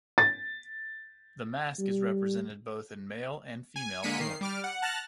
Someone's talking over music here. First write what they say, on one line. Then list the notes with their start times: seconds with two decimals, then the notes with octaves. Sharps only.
The mask is represented both in male and female form.
0.18 A6
1.79 G3
3.76 G#5
4.03 D3 G#3 A#3 B6 C#7 D#7
4.20 D#3 C7
4.41 G3 D6 F6
4.64 F#5
4.82 A5 F6 F#6 A6 A#6